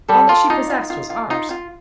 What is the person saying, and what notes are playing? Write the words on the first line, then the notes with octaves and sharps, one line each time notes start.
All that she possessed was ours.
G3 A4
F4 D5
D#4 F4
F4
F4
F4
D#4 F4
F4